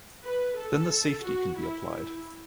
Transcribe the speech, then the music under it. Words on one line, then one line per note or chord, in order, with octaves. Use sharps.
Then the safety can be applied.
B4
A4
F#4
E4
E4